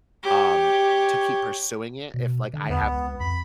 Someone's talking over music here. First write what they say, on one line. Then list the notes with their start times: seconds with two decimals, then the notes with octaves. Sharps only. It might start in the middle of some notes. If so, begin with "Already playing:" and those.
um, to keep pursuing it, if like I have
0.24 G4 C#5
2.14 B2
2.53 D3
2.69 E2 B3
2.83 C#2
3.20 F2 B5